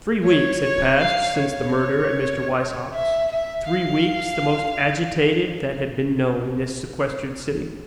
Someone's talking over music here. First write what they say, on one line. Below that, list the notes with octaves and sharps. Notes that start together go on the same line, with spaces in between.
Three weeks had passed since the murder at Mr. Weishaupt's--three weeks the most agitated that had been known in this sequestered city.
C#5
C#5
F5
C#5
E5
E5
F5